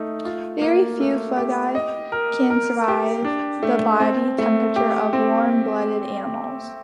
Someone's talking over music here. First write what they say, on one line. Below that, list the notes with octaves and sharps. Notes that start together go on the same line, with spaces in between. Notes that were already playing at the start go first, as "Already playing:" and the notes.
Very few fungi can survive the body temperatures of warm-blooded animals.
Already playing: A3 D#4
F4
A#3
A3
G4
D#5
A#4
A#4
G4
D4
A3
C4
A3
G4
C4